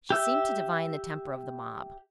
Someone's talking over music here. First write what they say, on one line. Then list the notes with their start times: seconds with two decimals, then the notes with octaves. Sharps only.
She seemed to divine the temper of the mob.
0.10 G4 E5 G6